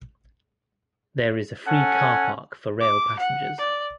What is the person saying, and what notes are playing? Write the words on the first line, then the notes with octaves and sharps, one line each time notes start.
There is a free car park for rail passengers.
C#4 A4 F#5 G#5
D6
F#5
D5